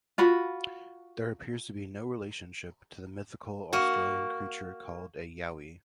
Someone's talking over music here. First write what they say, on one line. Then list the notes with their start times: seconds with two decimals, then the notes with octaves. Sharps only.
There appears to be no relationship to the mythical Australian creature called a Yowie.
0.18 F4 F#4 B5
3.73 A#3 F#4